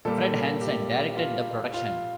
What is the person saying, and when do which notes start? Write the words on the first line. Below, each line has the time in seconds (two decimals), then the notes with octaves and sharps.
Fred Hanson directed the production.
0.05 A#2 G3 A#3 A4
0.61 G4
1.17 F4
1.74 F4